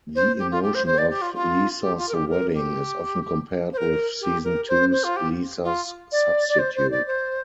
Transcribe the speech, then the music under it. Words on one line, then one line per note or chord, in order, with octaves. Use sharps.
The emotion of "Lisa's Wedding" is often compared with season two's "Lisa's Substitute".
C5
G4
F4
G4
C5
C5
D5
G4
F4
F4
G4
F4
A#4
G4
A#4
G4
C5
A#4
G4
A#4
C5
C5
F4
G4
F4
D5
D5
C5
C5
D5
C5